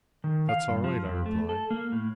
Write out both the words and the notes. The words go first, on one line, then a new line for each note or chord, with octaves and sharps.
"That's all right," I replied.
D#3
F5
G2
F3
F2
A3
A4
A#3
A2